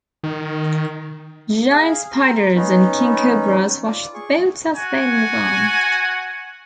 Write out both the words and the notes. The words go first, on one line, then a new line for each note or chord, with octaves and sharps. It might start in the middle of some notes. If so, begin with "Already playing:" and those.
Giant spiders and king cobras watch the boats as they move on.
D#3
G#4 F5
A#5 C6
B3 C#4 D#4
F4 D5
G#4 C#6
F#4 F#5 G#5